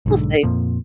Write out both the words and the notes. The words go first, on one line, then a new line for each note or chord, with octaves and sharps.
we'll see.
B1 G#2 D3
F2 A#2 F3